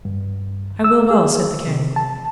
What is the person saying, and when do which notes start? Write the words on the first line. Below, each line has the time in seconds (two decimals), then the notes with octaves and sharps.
I will well, said the king.
0.05 G2
0.84 E6
1.10 G#4
1.67 C3
1.96 A5